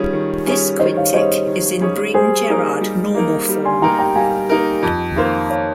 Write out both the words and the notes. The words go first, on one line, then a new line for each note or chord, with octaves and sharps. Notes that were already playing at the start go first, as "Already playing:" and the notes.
This quintic is in Bring-Jerrard normal form.
Already playing: D#3 G3 C#4 F4 G#4 C#5
D#3
G3 C#4 G#4 C#5
D#3 C5 D#5
C#5 F5
G3 C#4 G#4 C5 C#5 D#5
D#3
G3 C#4 G#4 C#5
G3 G#4 C5
A#3 D#4 A#4
G3
A#3 D#4 A#4
G3
G#5 C6
A#3 D#4 A#4 G5 A#5
G5 A#5
G3 F5 G#5
A#3 D#4 A#4
F2
D#3 A#3 F4 C5
C#5 F5